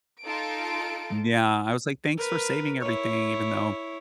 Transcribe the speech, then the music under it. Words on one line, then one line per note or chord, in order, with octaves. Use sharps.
Yeah, I was like, "Thanks for saving everything," even though
D#4 F4 A4 A5 D7
A#4 B4
E4 C#5